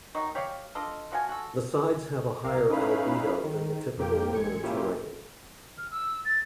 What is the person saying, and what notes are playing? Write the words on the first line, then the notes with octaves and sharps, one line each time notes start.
The sides have a higher albedo than the typical lunar terrain.
D#3 F#3 D#4 C#6
G4 C#5 D5 F5
D4 F4 A4 D#5
F3 F#4 F5 G#5
F#4 A4
C2 C3 A#4 F5
C#4 D#4 E4 B4 F5 B5
D#3
F2 A#3 G4 G5
A1 G#3 G#6 C#7
A#3 C#4 E4 F4 G4
F6
E6
A6